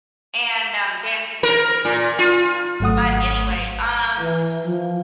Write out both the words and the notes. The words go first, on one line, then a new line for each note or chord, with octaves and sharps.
And, um, Dancing Dirty too the other one. But anyway, um,
A#4
A#2
F4
G#1 F#3 A3 F#5 D#6
E3
F3